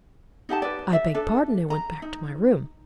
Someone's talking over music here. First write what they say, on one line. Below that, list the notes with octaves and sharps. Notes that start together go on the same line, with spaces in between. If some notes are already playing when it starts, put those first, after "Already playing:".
I begged pardon and went back to my room.
D#4 G4 F#5 A5
B4 D5
E5
D4 A4
A#5
D#4